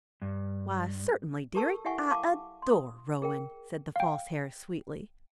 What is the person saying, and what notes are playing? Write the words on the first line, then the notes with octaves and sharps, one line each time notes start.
"Why certainly, dearie, I adore rowing," said the False Hare sweetly.
G2
G4 A4 A#4 A5 C#6 E6
E4 G4 E5 F#5 G#5 C#6
F5 A5 C#6 D6
C6 D#6
G#4 A#4 G5
F5 G5